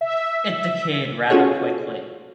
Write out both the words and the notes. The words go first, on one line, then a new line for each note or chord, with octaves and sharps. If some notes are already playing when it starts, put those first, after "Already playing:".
It decayed rather quickly.
E5
C#4 F4 F#4 G#4 A4 C#5